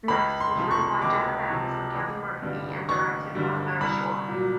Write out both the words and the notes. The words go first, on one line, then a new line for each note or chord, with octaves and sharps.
"Next" was written by Jenna Bans and Kevin Murphy and directed by Larry Shaw.
C#2 B5
C6
C3 F3
C#6
C#2 D6
C3 F3
A1
G2 D3 G3
A1 C#6
G2 D3 G3
C2 B5
A#2 F#3